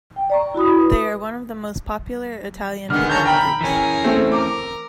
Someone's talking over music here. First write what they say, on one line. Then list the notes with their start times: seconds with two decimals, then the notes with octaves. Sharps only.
They are one of the most popular Italian hip hop groups.
0.16 G5
0.30 D5 A#5 C#6
0.55 E4 F#4 B5 D#6
0.78 B4 D#6
2.90 D3 D#3 G#3 B3 F6
3.10 C#4 A5 A#5 G6
3.26 G5 A#5 B5
3.61 E3 C#4 G#4 A#4
4.04 A3 C4
4.31 A#4 D6